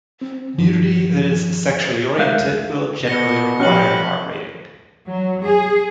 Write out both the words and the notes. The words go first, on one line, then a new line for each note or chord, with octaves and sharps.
Nudity that is sexually oriented will generally require an R rating.
C4
G2 D#3 F3
G#3 A#4 E5 F5 F#6 G6
B2 A#6 C#7 G7
F3 G3 C#4 F#4 F6 F#6 F#7
F#3
G#4